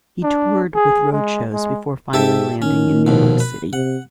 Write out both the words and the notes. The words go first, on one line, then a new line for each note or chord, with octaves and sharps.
He toured with road shows before finally landing in New York City.
D4
G#4
G#3
G#3
G#2 G4 A4 E5
D#3 C#4
A#1 D#2 B2
B4
C3 F#5